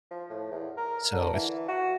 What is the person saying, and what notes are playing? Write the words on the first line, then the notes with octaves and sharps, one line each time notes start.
so it's
F3
A2
E2
A#4
D3
E3
F#4